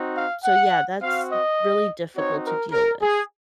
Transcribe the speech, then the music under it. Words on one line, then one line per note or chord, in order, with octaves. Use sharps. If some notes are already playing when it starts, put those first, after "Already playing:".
so yeah, that's really difficult to deal with.
Already playing: C4 D#4 F#4
F5
F#5
C4 F#4 F5
D#5
C4 D#4 F#4 C#5
A#4
A#4
G#4